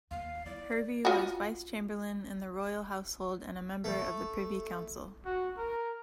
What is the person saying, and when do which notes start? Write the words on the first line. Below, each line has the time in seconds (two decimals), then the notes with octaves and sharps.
Hervey was vice-chamberlain in the royal household and a member of the Privy Council.
0.11 D#2 F5
0.46 E4 D5
1.05 F4 F#4
3.84 A3
5.25 F#4
5.57 A#4